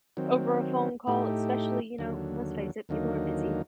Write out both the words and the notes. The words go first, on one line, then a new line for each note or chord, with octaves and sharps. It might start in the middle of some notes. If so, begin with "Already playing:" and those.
over a phone call, especially you know, let's face it, people are busy,
D#3 F#3 C4
A2 A3 D#4 G4
D#2 D3 F#3
D#2 D3 F#3 A#3 D#4